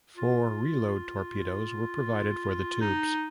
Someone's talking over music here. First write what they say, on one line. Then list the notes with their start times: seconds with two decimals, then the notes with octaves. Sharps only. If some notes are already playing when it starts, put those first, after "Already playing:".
Four reload torpedoes were provided for the tubes.
0.17 F4
2.81 D#4